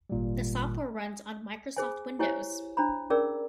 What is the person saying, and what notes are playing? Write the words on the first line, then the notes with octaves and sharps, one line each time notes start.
The software runs on Microsoft Windows.
G#1 A#2 G3
G#4 C5 G#5
E4 G4 C5 C#5 G#5
D4 C5 A#5 B5
C#4 G#4 A#4 D5 E6